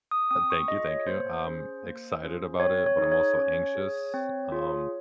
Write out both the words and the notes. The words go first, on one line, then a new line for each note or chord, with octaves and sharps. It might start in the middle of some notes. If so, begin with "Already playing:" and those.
Thank you. Thank you. I'm excited about it, but I'm also anxious, um,
D#6
C4 D#6
C#6
F4 G#4 D#5
C#5
A#3 C5
C#4 G#4
A#3
C#4 F4 G#4
C4 C#5
C#5
D#4 G#4
C#5
C#4
G#4
C4
F4 G#4